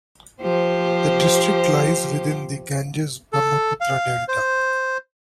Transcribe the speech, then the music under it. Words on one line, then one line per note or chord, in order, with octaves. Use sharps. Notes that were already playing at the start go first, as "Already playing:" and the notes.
The district lies within the Ganges-Brahmaputra delta.
F3 G4 C5
A4
F5
C5